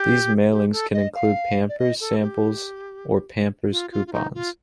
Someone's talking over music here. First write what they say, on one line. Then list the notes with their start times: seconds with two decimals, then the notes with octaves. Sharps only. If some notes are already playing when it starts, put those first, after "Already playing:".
These mailings can include Pampers samples or Pampers Coupons.
Already playing: G4
0.51 G4
0.72 A4
0.94 D#5
1.15 F5
1.69 D5
1.79 D#5
2.00 A4
2.22 G4
3.71 F4
3.92 F4
4.07 F4
4.13 D#4
4.34 F4